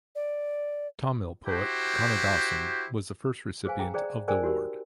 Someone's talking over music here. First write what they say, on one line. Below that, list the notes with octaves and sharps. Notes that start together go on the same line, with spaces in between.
Tamil poet Kannadasan was the first recipient of the award.
D5
E4 F#4 G4 C5
G#4 B4 C5 F5 G#5
G#4 G5 A#5
G#4 C5 D5 G5 A#5
G#4 A#4 C5 D5 G5 G#5
D#4 F#4 G4 A#4